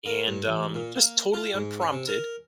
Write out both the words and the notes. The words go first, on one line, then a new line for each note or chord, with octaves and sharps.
And, um, just totally unprompted,
A#3
G2
A1
A#2
A#3
F4
G#2
C#4
C3
A#4